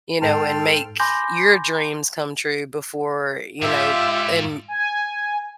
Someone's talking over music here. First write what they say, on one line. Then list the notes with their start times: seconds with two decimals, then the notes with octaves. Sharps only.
you know, and make your dreams come true before, you know, and
0.22 G#2 A4 G5 A5 C6 F6
1.00 G#5 B5 C6 D6 G6 A#6
3.62 G#2 F4 G4 E5
4.68 G#5